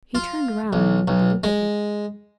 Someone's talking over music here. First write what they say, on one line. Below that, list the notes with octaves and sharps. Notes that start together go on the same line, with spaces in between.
He turned round deliberately.
F4
B1
B1
G#3